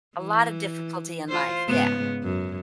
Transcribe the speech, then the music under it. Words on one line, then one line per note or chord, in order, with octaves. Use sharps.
A lot of difficulty in life, yeah,
E3
F4 C5
G#2 C#3 B3
F#2